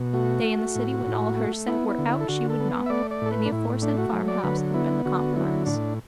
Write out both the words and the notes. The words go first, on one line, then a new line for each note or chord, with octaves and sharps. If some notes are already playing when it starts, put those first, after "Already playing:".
Stay in the city when all her set were out she would not, and the aforesaid farmhouse had been the compromise.
Already playing: B2
A3 F#4
A3
A2
A2
A3
B3 E4
E4
D3
E4
A4
D3 F#4
A4
B3
E5
A3 D5
D5
A2 A4
B4
D4
A2 E4
A3 D4
F#4
F#3
D5
D3 B4
B3 E4
D3 F#4
F#3 E4
A2 D4